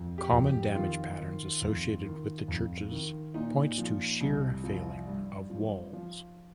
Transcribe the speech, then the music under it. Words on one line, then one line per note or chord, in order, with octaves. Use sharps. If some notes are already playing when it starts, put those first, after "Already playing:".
Common damage patterns associated with the churches points to shear failing of walls.
Already playing: F2
G4
F2
G4
D#3 F4
D#3
F2
D#3
F2
D#3
A#2 D#4
F3
C2
F3
G2
F3
F3